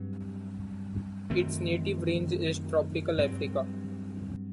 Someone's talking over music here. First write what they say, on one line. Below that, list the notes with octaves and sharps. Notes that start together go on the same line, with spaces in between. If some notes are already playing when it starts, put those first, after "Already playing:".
Its native range is Tropical Africa.
Already playing: G2 F#3 C4
F#2 D#3 A3 C4
G2 F#3 C4